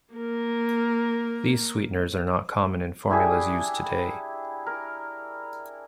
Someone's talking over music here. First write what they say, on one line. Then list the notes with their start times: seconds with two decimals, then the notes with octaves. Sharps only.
These sweeteners are not common in formulas used today.
0.14 A#3 A#4
3.10 D4 E4 G4 G#4
4.67 A#4